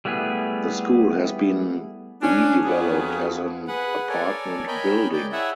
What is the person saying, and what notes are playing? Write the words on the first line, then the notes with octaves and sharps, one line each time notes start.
The school has been redeveloped as an apartment building.
G3 A3 B3 E4 G#4
C#4 D4
F2 F3 B3 F#4 G#4
G#4 B4 F#5
A4 A#4 C#5 D5 G#5
A#4 C#5 D#5 G5 G#5 B5
D5 G5
E4 G#4 C#5 E5 F#5